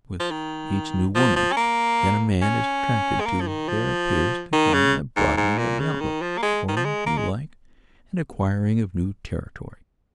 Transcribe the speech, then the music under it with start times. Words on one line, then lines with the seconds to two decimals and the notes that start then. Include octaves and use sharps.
With each new woman that a man is attracted to there appears to come a broadening of the outlook, or, if you like, an acquiring of new territory.
0.20 F3
0.31 D#3
1.15 F3
1.36 F3
1.52 C#4
1.57 A#3
2.42 C#4
3.20 G#3
3.26 A#3
3.41 F3
3.47 D#3
3.68 F3
4.53 D#3
4.74 C#3
5.17 G#2
5.37 G#2
5.58 A#2
5.80 C#3
6.01 D#3
6.22 F3
6.38 A#3
6.43 G#3
6.69 D#3
6.77 F3
6.85 G#3
7.06 A#3
7.17 G#3